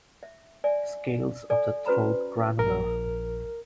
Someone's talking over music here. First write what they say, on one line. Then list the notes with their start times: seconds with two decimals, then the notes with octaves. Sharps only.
Scales of the throat granular.
0.23 E5
0.64 D5 E5 G#5
1.50 A4 D5 G#5
1.86 C#4 F#4 B4 C5 A#5 B5
2.59 A#1 A#4